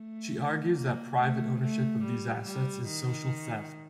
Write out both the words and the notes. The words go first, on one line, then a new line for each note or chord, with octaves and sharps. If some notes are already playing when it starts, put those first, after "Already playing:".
She argues that private ownership of these assets is social theft.
Already playing: A3
A#3
A3
A3
G3
G3
D#3